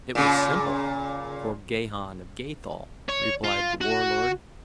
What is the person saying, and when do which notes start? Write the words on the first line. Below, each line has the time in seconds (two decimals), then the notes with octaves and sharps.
"It was simple--for Gahan of Gathol," replied The Warlord.
0.15 A#2 C#3
3.09 C#5
3.44 F4
3.81 F#4